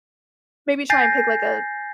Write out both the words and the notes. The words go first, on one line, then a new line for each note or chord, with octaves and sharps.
maybe try and pick, like, a
G#5 G6 A6 A#6 C7